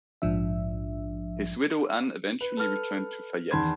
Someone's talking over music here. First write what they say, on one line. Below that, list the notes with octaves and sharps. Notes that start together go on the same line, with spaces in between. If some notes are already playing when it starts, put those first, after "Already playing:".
His widow Ann eventually returned to Fayette.
A#1 G#2 F3 D4 E5
B4
A4 B4 F6
E2 D#3 A5 B5 C6 G#6